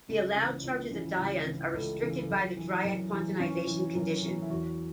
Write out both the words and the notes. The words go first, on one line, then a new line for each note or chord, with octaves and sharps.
The allowed charges of dyons are restricted by the Dirac quantization condition.
C#2 C#4
C#3 E3
C#2
C#3 E3
C#2
C#3 E3
C#2 A3
C#3 E3
F#2
E3
F#2
E3
F#2 C#4
E3
F#2
E3
E4
E2 F#4